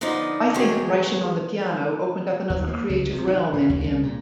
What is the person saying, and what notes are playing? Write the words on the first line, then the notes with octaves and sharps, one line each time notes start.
I think writing on the piano opened up another creative realm in him.
D3 F3 B3 D#4 D5
E2 B2 D3 G#3 C#5 G5
D#2
A#3
C#2
C3
D#3
G2
D#2
C2
A#2